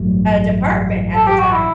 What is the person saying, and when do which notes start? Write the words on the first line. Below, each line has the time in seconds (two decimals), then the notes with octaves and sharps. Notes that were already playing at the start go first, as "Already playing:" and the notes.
uh, department at the time.
Already playing: A1 G2 F#3 A3
1.15 A4
1.27 G4
1.39 F#4
1.52 E4